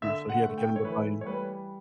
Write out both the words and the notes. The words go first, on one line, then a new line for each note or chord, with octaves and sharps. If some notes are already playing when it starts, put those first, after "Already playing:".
Yeah, so he had to get 'em to buy in.
D3 E5
F#5
A3
G5
C#5
E3 B4
C#5
G3 B4